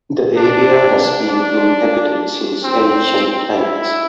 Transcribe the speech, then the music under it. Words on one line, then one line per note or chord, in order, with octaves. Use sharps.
The area has been inhabited since ancient times.
D4
D4
C4
E4